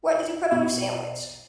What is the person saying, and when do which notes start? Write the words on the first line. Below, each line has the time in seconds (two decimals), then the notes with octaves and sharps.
What did you put on your sandwich?
0.52 B2